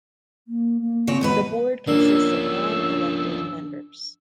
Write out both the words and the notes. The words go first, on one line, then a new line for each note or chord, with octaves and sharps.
The board consists of nine elected members.
A#3
A#3
C#3 C4 C#5
D#2 B2 G#3 B4
F3 A#3 C#4 D4 E6